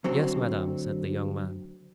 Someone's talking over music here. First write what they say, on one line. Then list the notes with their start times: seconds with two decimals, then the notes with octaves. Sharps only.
"Yes, madame," said the young man.
0.04 D2 F#3 C4